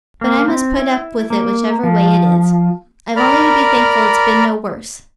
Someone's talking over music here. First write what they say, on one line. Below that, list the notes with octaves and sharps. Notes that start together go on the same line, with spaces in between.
But I must put up with it whichever way it is--I've only to be thankful it's been no worse.
A#3
C4
E4
A#3
F3
A#4 D5 A#5 B5 F6